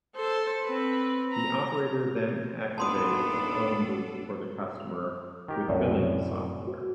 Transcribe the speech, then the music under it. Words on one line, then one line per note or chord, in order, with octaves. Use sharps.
The operator then activates a phone booth for the customer with billing software.
A4 C5
C4 B4
A#5
D#1 B3 D4 A4 A5 C6 D#6
D#3 G4 A#4
C2 F#2 A2 C#5 D5
F#4